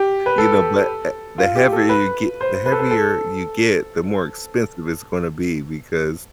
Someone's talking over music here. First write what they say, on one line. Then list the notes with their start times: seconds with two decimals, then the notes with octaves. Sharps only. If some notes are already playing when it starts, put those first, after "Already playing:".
you know, but, eh the heavier you ge the heavier you get, the more expensive it's gonna be because
Already playing: G4
0.26 B4
0.38 A4
1.38 F4
1.56 G4
1.72 A4
1.89 B4
2.41 C5
2.66 B4
2.72 A4
2.79 B4
2.91 A4